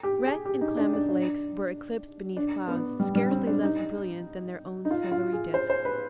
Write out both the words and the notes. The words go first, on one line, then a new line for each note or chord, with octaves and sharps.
Rhett and Klamath Lakes were eclipsed beneath clouds scarcely less brilliant than their own silvery disks.
G4
G#4
G4
D#4
D4
D4
D4
D4
B3
G3
G3
C4
D4
D#4
D#4
F4
F4
G#4
C5
C5
B4